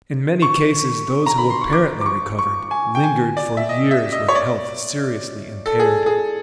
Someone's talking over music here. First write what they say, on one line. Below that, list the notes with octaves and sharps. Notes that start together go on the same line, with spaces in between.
In many cases those who apparently recovered lingered for years with health seriously impaired.
C#6
A#5
B5
C6
C#6
D6
D6
C#6
C#6
G#5
G5
G#5
D5
E5
D#5
E5
D#5
C#5
D5
A4
G#4
G#4